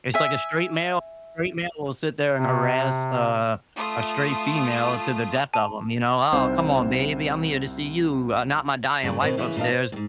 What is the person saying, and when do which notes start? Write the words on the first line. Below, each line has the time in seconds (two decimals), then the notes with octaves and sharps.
It's like a straight male straight male will sit there and harass, uh, a straight female to the death of him, you know? "Oh, come on, baby. I'm here to see you, uh, not my dying wife upstairs."
0.14 E5 G#5
2.33 C3
3.76 A3 F4 D#6
5.54 A5
6.32 C2 C4 D#4 C5 E5
9.03 G2 C#3 F#3 C#4
9.22 B2 D#3 C4
9.37 C#3 E3 C#4 E4
9.57 A#2 E3 D4 D#5 F5
9.71 C5
9.92 D#2 G#2